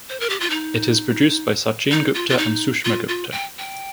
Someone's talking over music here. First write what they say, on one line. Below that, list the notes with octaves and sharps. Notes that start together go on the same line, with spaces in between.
It is produced by Sachin Gupta and Sushma Gupta.
C5
A#4
G4
F4
D#4
D#4
F4
F4
D#4
F4
F4
G5
G5